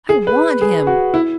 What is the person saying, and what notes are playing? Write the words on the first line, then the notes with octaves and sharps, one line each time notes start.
I want him.
G#4
B4
G#4
F#4
E4